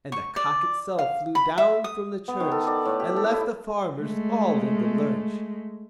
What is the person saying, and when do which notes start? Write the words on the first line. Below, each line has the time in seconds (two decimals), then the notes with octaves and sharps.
And the cock itself flew down from the church, And left the farmers all in the lurch.
0.12 C#6
0.36 D5
0.99 F5
1.35 B5
1.58 E5
1.84 D#6
2.28 B3
2.40 D#3
2.52 A4
2.67 D5
2.85 A2
3.00 G4
3.16 A4
3.33 E4
3.98 G#3 A3